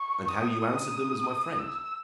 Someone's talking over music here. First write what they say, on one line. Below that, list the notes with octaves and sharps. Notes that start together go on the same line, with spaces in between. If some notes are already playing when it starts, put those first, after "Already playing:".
"And how you answered them as my friend."
Already playing: C#6
D#6
E6